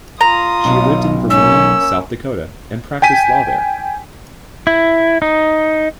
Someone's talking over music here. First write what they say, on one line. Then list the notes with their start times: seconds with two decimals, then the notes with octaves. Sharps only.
She lived in Vermillion, South Dakota and practiced law there.
0.21 F4 A#5 D#6
0.65 B1
1.30 A#3 C#4 E6
3.02 G5 G#5 B6 D#7
4.67 E4
5.22 D#4